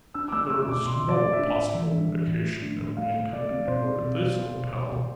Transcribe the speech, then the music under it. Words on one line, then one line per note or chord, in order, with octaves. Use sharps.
"There was no possible indication that we intended to go to this hotel."
D4 E6
D6
A3 E6
A3 E6
B2 D6
B2 C6
B2
D5
A3
E5
D4
A2
E3
D4
E3
A2
A3
D4
A2
A3 F5
A3
A3 D5
C4
B2 C5
C4
B2
B2
B3
B2
B2
B2